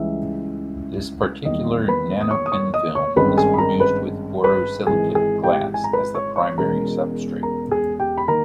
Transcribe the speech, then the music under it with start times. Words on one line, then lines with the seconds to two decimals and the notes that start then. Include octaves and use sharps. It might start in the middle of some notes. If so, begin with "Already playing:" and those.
This particular nanopin film is produced with borosilicate glass as the primary substrate.
Already playing: C#2 C#3 E3 G3 E5
1.45 E2 D#3 G3 A#3 D#5
1.88 B4 B5
2.21 D#6
2.31 C#5 C#6
2.46 D#6
2.52 C#5 C#6
2.74 D#5 D#6
2.95 C#5 C#6
3.16 G#1 G2 D#3 G#3 C#4 B4 B5
3.37 G#4 G#5
3.54 B5
3.58 A#4 A#5
3.80 B4 B5
4.44 B4 B5
4.87 G#1 G#2 E3 G#4 G#5
5.15 G#4 G#5
5.44 G4 G5
5.74 G#5
5.84 A#5
5.93 B4 B5
6.15 C#5 C#6
6.36 C#5 C#6
6.57 E1 E2 B2 G#3 C#4 A#4 A#5
7.43 A#4 A#5
7.71 G#4 G#5
7.99 G4 G5
8.18 B5
8.28 D#3 A#3 A#4 A#5